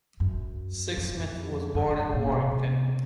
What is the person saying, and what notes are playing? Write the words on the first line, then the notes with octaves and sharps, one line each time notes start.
Sixsmith was born in Warrington.
F#2
F2
F#2
G#2
A#2
C3
C3